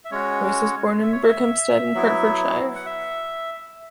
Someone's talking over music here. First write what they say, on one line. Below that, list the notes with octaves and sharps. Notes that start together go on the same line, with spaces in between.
Reiss was born in Berkhamsted in Hertfordshire.
E5
G#3 C#4 F#4 C#5
E5
C#5
E5
F#3 B3 E4
F#5
E5